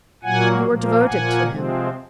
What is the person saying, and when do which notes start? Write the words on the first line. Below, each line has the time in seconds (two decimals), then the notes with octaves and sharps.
"You are devoted to him."
0.23 A#2 F#3 A#3 F#5 G#5
0.65 A#2 F3 A#3
1.06 A#2 F3 A#3 F#5 G#5
1.47 C3 F3 G#3 C4